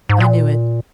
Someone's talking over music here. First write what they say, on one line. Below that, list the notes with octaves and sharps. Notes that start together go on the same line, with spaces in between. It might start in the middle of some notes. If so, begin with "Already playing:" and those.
"I knew it."
G#2
A#2